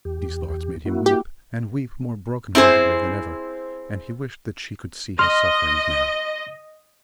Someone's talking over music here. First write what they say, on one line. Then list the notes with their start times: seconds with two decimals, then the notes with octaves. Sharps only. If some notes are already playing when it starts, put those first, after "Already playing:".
These thoughts made him weep, and weep more broken-heartedly than ever; and he wished that she could see his sufferings now.
0.05 E2 G4
0.86 A#3 E4 F#4
1.06 G4
2.55 C4 E4 G#4 C5
5.19 D#5 C6 F6